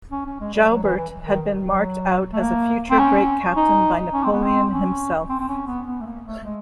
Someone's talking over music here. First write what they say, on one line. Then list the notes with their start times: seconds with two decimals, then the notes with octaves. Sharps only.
Joubert had been marked out as a future great captain by Napoleon himself.
0.12 C#4
0.26 C#4
0.40 G#3
0.54 G3
0.69 F#3
0.83 E3
0.97 E3
1.26 D#3
1.65 F#3
2.33 A3
2.41 A#3
2.90 C4
2.99 C#4
3.56 D#4
4.13 C#4
4.24 C4
4.33 B3
4.44 C4
4.71 C#4
5.29 C4
5.40 C4
5.49 C#4
5.67 B3
5.86 B3
6.01 A3
6.06 A#3
6.25 A3
6.44 G#3